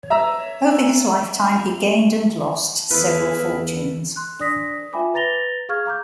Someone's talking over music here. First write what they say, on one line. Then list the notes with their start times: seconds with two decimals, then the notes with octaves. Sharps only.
Over his lifetime he gained and lost several fortunes.
0.10 E5 A#5 E6
2.91 E2 E4 G#4 A4 B4 F5 B5
3.33 E2
4.16 C6 F#6
4.39 D4 D5 D#6 A#6 B6
4.93 F4 E5 G5 G#5 B5 D6
5.14 B4 A#5 A6 A#6 F7 G7
5.69 G#4 F5 C#6 F6 G#6
5.86 F5 A#5 D6 G6